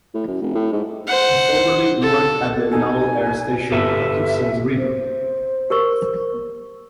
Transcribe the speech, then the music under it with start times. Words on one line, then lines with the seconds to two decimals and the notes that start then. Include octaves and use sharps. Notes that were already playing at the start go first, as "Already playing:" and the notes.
He formerly worked at the Naval Air Station Patuxent River.
0.14 A2
0.27 F#2
0.42 F1
0.55 A2
0.72 G#2
1.07 C5 F#5
2.02 A4
2.72 D#4 A4 G#5
3.72 G1 G4 A4 B4 E5 E6
4.78 C5
5.70 G4 A#4 C#6